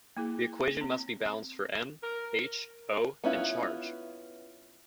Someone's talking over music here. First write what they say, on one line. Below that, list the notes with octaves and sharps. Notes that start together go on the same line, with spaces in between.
The equation must be balanced for M, H, O and charge.
A#3 E4 G#4
C4
A#4
B3 C#4 E4 F4